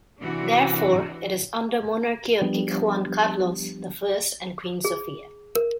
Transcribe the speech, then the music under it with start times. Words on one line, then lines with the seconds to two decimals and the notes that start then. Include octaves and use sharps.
Therefore, it is under monarchy of King Juan Carlos the First and Queen Sofia.
0.21 C3 E3 D4 F#4
2.42 F3 G3 B3 D4 G4
4.85 G#4
5.55 A#4